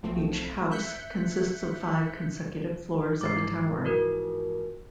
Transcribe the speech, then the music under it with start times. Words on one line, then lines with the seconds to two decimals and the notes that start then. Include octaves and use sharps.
Each "house" consists of five consecutive floors of a tower.
0.03 B1 F3 A3 C4
0.71 E5 F#6 G6 B6 C#7
3.21 G#2 E3 F3 D6 A6 C7
3.85 F#4 A#4 B4